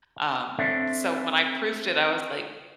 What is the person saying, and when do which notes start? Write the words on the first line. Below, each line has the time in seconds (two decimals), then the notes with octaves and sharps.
um, so when I proofed it, I was like,
0.59 C4 D4 A4 C#5 D5 E5